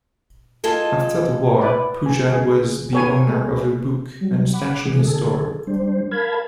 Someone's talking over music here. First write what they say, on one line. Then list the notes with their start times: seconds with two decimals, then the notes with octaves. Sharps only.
After the war, Poujade was the owner of a book and stationery store.
0.64 F4 G#4 A4 D#5
1.61 E4 B4 D5
2.06 G#4 G#5
2.31 C#3 G#4
2.93 B3 G4 A4 C#5 G#5
3.27 G#3 A3
4.21 F#3 G3
4.53 F#5 B5 D6
4.85 E3 G#3 G#4
5.03 D3 G#4 A4
5.67 G3 D4 C5
6.11 A#4 F5 A5 B5 G#6